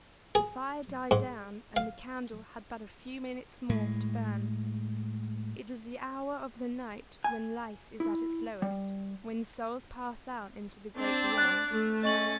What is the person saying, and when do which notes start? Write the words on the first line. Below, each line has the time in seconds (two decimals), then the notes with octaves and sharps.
The fire died down and the candle had but a few minutes more to burn. It was the hour of the night when life is at its lowest--when souls pass out into the great Beyond.
0.35 G#4
1.11 G#2
1.76 F5
3.69 A2 G#3
7.24 G#5
8.00 E4
8.62 G3
10.97 C4 D4 D5
11.38 F#6 A6
11.71 A3
12.03 C#4 D#5 C#6 A6 F#7